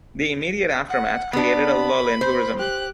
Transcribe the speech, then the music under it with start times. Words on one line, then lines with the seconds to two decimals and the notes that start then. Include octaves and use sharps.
The immediate aftermath created a lull in tourism.
0.88 F#5
1.33 B3 D4 B5
2.21 C5
2.58 G4 F#6